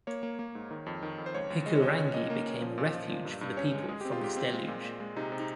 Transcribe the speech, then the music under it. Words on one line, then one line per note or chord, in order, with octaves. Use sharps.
Hikurangi became a refuge for the people from this deluge.
A#3 C#5
A#3
A#3
G#2
D#3
F2
D#3
F2
C5
C#2 C#5
C#2
G#3 D#5
C#5
C#2 D#5
C#4 C#5
A#3 D#5
A#3
C#4
F3
A#2
F3
A#2
G2
G2
C#4 C#5
G#3
G#3 G#4
C4 G4
F4
G#2 G4
C4
G#3 F4
A#2
A#2
G#3
C3 D#4
C3
D#4